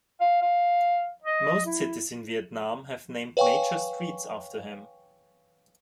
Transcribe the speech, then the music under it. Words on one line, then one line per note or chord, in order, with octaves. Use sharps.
Most cities in Vietnam have named major streets after him.
F5
F5
D#5
E4
B4 C#5 F5 G5 G#5 C#6